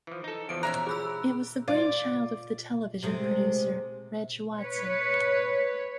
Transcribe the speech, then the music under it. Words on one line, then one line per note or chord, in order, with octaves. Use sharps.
It was the brainchild of the television producer, Reg Watson.
E3 F3
D#4 A4
E2 E3 F3 D7
C#4 E5 A#5 F#6
G#4 B5 E6
F4 D5
C3 G#3 A3
B4 C#5